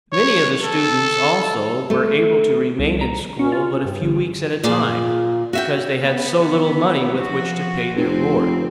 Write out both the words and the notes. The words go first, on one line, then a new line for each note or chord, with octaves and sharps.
Many of the students, also, were able to remain in school but a few weeks at a time, because they had so little money with which to pay their board.
C#5
A4
A3
C2
A#5
C#4
F4
G2
G1
A#2 F4 G#4 D5
F#4 E5 G5
B3
F3 F#4
F1 C4